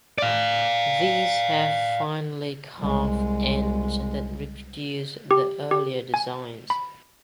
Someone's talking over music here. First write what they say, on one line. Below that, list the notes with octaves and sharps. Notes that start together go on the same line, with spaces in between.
These have finely carved ends that reproduce the earlier designs.
D5 F5
C2 G#3
G4
G4
G#5
B5